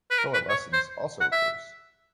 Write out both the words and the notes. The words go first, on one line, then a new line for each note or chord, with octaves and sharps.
Coalescence also occurs.
B4
A#4
B4
C#5
C5
F#5
E5